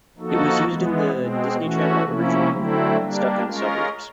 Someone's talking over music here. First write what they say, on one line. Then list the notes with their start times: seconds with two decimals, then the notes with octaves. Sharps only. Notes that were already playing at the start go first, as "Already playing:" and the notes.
It was used in the Disney Channel Original Movie "Stuck in the Suburbs".
0.18 F3 A#3 D#4 F#4 A4
0.65 E3 G#3 B3
1.11 B2 G#3 C4
1.57 E3 A3 C#4 F#4
2.03 C3 F3 A#3 C#4 E4
2.50 D3 F#3 A3 C4 E4
2.96 G3 A#3 D4
3.43 G#3 C#4 F4 A#4